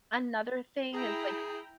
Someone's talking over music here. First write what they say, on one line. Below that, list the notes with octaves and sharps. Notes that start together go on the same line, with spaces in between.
Another thing is like
E4 G#4 G5 A#5